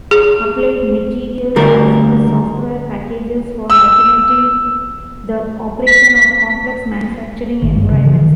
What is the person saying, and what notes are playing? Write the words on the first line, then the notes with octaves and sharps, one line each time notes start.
Applied Materials offers software packages for automating the operation of complex manufacturing environments.
G#4
D2 G3 A#4
E6
B6
G#1
G2
C#3
E3
D#3